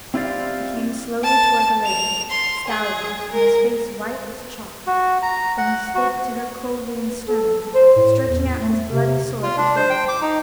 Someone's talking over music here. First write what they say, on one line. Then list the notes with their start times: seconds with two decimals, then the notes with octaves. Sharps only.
He came slowly toward the Lady, scowling, and his face white as chalk; then he spake to her coldly and sternly, stretching out his bloody sword before her.
0.14 C4 E4 F4 G4 D5 F5
1.24 A5
1.87 F7
2.31 C6
2.68 G#4
3.32 A#4
4.87 F#4
5.22 A#5
5.58 F#5
5.95 F#4
7.28 A4
7.75 C5
7.96 A2
8.25 E2
8.58 A3
8.90 C3
9.43 F4
9.58 D4
9.76 C5
9.90 G5
10.08 D6
10.21 D#4